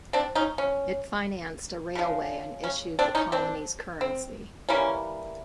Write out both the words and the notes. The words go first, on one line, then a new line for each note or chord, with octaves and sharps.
It financed a railway and issued the colony's currency.
C4 D4
C#4 D#4
C#4
C#3 F3 G#3
C#4
C4 D4
C#4 D#4
C4 D4
C4
E3 G3 A#3 C#4